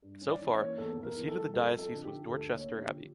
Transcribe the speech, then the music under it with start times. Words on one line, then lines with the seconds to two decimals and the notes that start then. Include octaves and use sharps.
So far, the seat of the diocese was Dorchester Abbey.
0.02 G2
0.21 C#4
0.28 D5
0.40 E3
0.54 C#5
0.59 A#3
0.78 E2 A4
0.97 E2
1.03 A#4
1.16 E3
1.28 A4
1.35 G3
1.54 F2 A4
1.73 F2
1.78 A4
1.92 D3
2.04 G4
2.10 F3
2.29 D2 A4
2.48 A#3
2.54 C#5
2.67 D3
2.80 G4
2.86 F3